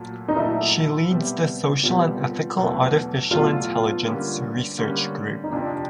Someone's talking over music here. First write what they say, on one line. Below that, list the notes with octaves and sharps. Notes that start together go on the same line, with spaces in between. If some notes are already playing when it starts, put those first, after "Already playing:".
She leads the Social and Ethical Artificial Intelligence research group.
Already playing: A#2 F#3 A3
D#4
A#2 F#3 A3 E4
B2 G3 C4
B2 G3 C4 F4
E2 B2 F#3 A3
E2 B2 F#3 A3 F4
D3 G3 A#3 C#4
D3 G3 A#3 C#4
D#4
F2 C3 F3 D4